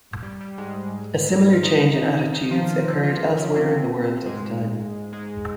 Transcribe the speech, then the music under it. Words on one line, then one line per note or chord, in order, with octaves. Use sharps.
A similar change in attitudes occurred elsewhere in the world at the time.
G3
G3
G#2 G#3
F4
D#3 D#4
D#3 D#4
F3 F4
F3 F4
C#3 C#4
C3 C4
G#2 G#3
G#2 G#3